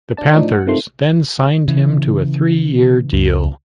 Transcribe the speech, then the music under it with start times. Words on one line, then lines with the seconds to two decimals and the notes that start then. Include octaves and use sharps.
The Panthers then signed him to a three-year deal.
0.17 D4 A5
0.33 A2 F3 D4 D#4
0.52 F#5
0.67 C3 D#3 F3 A3 C6
1.68 C#3 E3
3.13 C#2